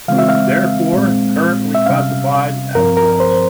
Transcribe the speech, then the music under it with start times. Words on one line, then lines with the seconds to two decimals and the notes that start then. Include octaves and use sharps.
It is therefore currently classified as lost.
0.08 C#3 E3 G#3 C4 F5
0.19 E5
0.29 F5
0.97 A#2 G#3 C4
1.75 E5
1.86 C3 G3 C#4 F5
2.75 G2 F3 C4 A#4
2.97 A#4
3.20 C5